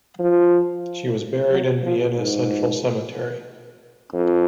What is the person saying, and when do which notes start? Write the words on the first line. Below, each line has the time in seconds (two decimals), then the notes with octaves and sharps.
She was buried in Vienna Central Cemetery.
0.19 F3
1.51 F#3
1.83 F3
2.17 G#2
4.14 F2